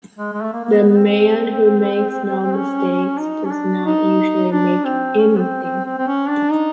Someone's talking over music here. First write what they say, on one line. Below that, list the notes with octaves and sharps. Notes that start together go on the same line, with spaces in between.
The man who makes no mistakes does not usually make anything.
G#3
G#3
A3
A#3
A#3
B3
B3
C4
C#4
D#4
C#4
D4
D#4
D4
C4
C#4
B3
C4
C4
C4
C4
C#4
D4
D#4